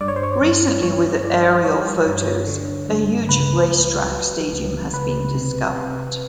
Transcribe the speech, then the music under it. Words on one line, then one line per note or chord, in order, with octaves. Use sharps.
Recently with aerial photos, a huge racetrack stadium has been discovered.
G2 D5
C#5
C5
C#5
G2
G2 C#5
G2 D5
G3 C#5
G2
D3
G2
C#2 B4
C#2
F#3
C#2
C#2 B4
C3
C3